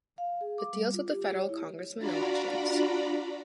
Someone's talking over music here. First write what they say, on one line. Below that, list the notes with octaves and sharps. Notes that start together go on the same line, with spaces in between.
It deals with the federal congressmen elections.
F5
G#4
D6
G3
F4
G4
C#5
E4
D4 F4 F#4 D5 A#5 B5